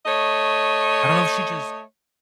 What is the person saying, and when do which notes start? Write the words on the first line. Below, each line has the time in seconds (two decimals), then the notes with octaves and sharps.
I don't know if she, just
0.06 A3 C#5 D#5